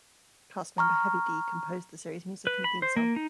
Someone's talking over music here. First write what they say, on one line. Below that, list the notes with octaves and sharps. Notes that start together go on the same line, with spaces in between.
Cast member Heavy D composed the series' music and theme song.
A#5 C#6 F6
B4
B5
C5
A#3
D#4